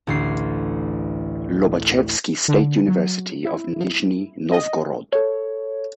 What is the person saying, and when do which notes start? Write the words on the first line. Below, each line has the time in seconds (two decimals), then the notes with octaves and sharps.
Lobachevsky State University of Nizhny Novgorod.
0.07 A1 D2 C7
2.48 D3
2.88 F#3
3.45 E4
4.52 D#5
5.13 A4 C#5